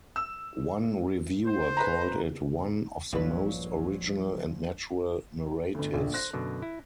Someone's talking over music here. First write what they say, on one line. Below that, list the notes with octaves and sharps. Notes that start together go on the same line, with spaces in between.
One reviewer called it "one of the most original and natural narratives".
E6
C5
B4 A#5
A#1 G2 F3 F#3 C#4 B4
G1 D2
A#1 D#2 D3
C5 F#6 A#6
F#2 B2 D3
E4